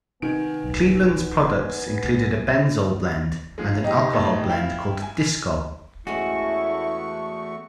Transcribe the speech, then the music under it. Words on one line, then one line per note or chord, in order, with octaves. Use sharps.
Cleveland's products included a benzole blend and an alcohol blend called "Discol".
C3 D#3 B3 G#5 D7
D1 B1
C2 A#2
F3 G#3
D#4 G4
G#1 A3
E4 F5 G5
G#5
E2 G#3 A3 B3 C#4 E4 F#4 C#6